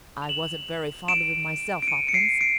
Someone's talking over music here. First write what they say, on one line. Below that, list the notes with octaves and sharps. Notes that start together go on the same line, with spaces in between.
"I wasn't very fond of him myself, Hopkins."
F7
E7 F#7
D7 E7
D7
C#7 D#7
C#7
C7 D7
C7 D7